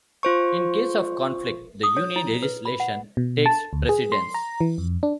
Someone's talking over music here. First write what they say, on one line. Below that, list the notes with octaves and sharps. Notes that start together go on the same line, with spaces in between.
In case of conflict, the Union legislation takes precedence.
F4 C5 C#6
D#6
C#5
E4
B4
B5
F#5
B2
A5
D2
G#4
C6
A#5
E3
F2
D4